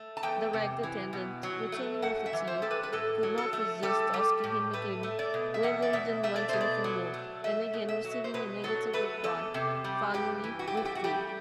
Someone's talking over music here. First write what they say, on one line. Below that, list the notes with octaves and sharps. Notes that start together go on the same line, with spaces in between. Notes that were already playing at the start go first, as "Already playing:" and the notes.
The ragged attendant, returning with the tea, could not resist asking him again whether he didn't want anything more, and again receiving a negative reply, finally withdrew.
Already playing: A3
A5
E2 G5
C3
E3
B2
F#3
A3
F#2 F#5
E5
E3
C5
G3 A4
B4
B4
A2 A4
F#3
A4
A3
G3 A4
G3
A2
A3 B4
A3
D5
B2
E5
E2 F#5
D5
B2 E5
A3 E5
D5
B2 C5
D5
F#3
A3
A3 E5
B2
E5
F#3
C5
B2 B4
F#3 A4
A3 B4
E2 A4
C3
G3
G2 G4
E3
F#4
G4
A3 F#4
G4
F#4
G3 G4